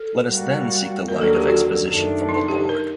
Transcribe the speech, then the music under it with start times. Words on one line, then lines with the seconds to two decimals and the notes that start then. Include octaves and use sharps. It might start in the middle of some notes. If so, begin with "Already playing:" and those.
Let us then seek the light of exposition from the Lord.
Already playing: A4
0.27 G3 A#3 F#4
1.08 D#2 D3 F#3 A#3 A#4
1.21 A4
1.35 G4
1.49 F#4
1.88 F#2 D#3 A3 D4
2.29 D#4
2.48 G4
2.69 A#4